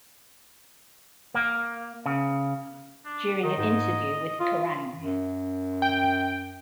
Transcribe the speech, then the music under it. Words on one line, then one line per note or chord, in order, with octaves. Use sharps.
During an interview with Kerrang!
A#3
C#3
D4
D#3 D#5
G#2
F4 D#6
F#2
G5